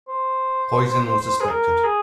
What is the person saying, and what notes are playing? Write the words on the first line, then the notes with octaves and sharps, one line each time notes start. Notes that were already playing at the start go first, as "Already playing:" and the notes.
Poisoning was suspected.
C5
G#4
A#4
G#4